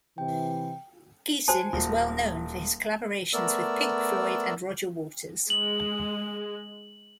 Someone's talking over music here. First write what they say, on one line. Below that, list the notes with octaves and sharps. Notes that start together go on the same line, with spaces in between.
Geesin is well known for his collaborations with Pink Floyd and Roger Waters.
C3 E3 G5
F#4 C5 G#5 A5
D#1
A3 B3 A#4 D5 E6
G#3 F#7